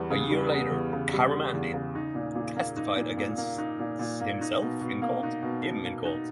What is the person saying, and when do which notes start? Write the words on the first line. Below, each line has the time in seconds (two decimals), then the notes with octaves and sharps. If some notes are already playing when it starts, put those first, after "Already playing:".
A year later, Caramandi testified against him in court.
Already playing: E2 G3 B3
0.10 C#3
0.31 G3
0.52 B3
0.72 E2
0.93 C#3
1.13 G3
1.33 B3
1.54 E2
1.74 C#3
1.95 D#4
2.15 A#2
2.35 A#2
2.56 A#3
2.77 D#4
2.97 A#2
3.17 A#2
3.38 A#3
3.58 D#4
3.79 A#2
3.99 A#2
4.21 A#3
4.41 D#4
4.62 B2
4.81 B2
5.02 A#3
5.23 D#4
5.43 B2
5.63 B2
5.84 A#3
6.05 D#4